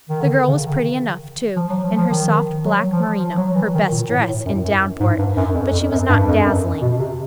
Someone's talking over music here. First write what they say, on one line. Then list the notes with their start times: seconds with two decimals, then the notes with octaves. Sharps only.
The girl was pretty enough, too, in her soft, black merino--her "best" dress in Downport--but she was not dazzling.
0.09 D#3
0.21 D3
0.48 C#3
0.66 D#3
1.56 F3
1.70 F#3
1.84 F3
1.98 F3
2.11 D#3
2.65 F#3
2.92 F3
3.19 F3
3.37 F#3
3.55 E3
3.74 D#3
3.91 A#2
4.10 A2
4.28 A2
4.46 F#2
4.65 F#2
5.00 G#2
5.19 G2
5.37 F#2
5.55 F2
5.72 F2
5.91 F#2
6.09 G2
6.28 F2
6.46 F#2
6.82 B2
6.99 C3